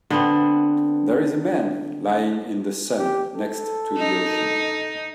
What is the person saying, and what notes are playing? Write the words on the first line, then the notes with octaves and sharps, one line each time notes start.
There is a man lying in the sun next to the ocean.
D3 B3 C4
G4
A4
D#4